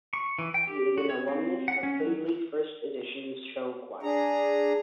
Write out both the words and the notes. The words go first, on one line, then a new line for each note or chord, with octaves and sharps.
He is an alumnus of Findlay First Edition Show Choir.
C#6
E3
G5
G4
F#4
C#5
C4
F#5
C#4
F#3
D4 G#4 A#5